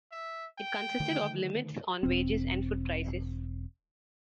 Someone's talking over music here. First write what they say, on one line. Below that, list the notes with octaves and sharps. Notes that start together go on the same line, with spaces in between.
It consisted of limits on wages and food prices.
E5
G5
D3 D#3 A3
E1 C4